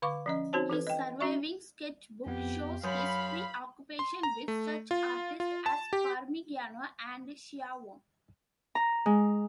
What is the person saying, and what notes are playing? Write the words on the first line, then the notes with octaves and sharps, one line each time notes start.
His surviving sketchbook shows his preoccupation with such artists as Parmigianino and Schiavone.
D3 B4 F5 C#6 D6
F3 C#4 D#5
C4 D#4 F#4 C5 C#5 A5
E3 A4 B4
D#5 G5
C#4 F#4 E5 C#6
F2 B3 G4
F#2 F5 B5 C6 D#6 G6
C6
A#5
A3
F4
F4
A5
G4
A#5
G#3